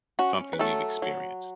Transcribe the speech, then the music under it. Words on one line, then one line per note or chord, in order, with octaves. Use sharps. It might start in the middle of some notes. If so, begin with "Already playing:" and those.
something we've experienced.
C#4 F#4
B4
F#3 A3 A4
F#3